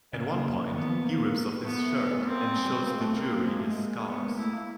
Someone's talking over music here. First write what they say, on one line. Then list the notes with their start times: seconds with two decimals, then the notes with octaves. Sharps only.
At one point, he rips off his shirt and shows the jury his scars.
0.13 C#3 A#3
0.44 C#3
0.74 D#3 B3
0.89 F3
1.04 A#3
1.65 A3 B3
2.11 G#3
2.19 A3
2.25 A#3 C4
2.56 G#3
2.65 G3
2.76 G#3
2.86 A#3
2.95 G#3
3.01 A3
3.16 A#3 C4
3.47 G#3 A#3
3.59 A3
3.70 G#3
4.07 B3
4.29 A#3
4.38 A3 E4
4.53 A#3